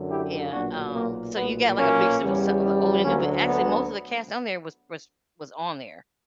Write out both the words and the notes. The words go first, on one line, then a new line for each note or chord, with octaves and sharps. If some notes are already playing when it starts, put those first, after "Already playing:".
yeah, um, so you got, like, a mix of a sa of the old and new, but actually, most of the cast on there was was was on there,
Already playing: F#2 D3 F#3
E4 G4
B1 A#2 F#3 D4 F#4
A#3
B1 A#2 F#3 B3
A#3 C#4
E2 C#3 G3
D2 D3 F#3 A#3 C#4
B3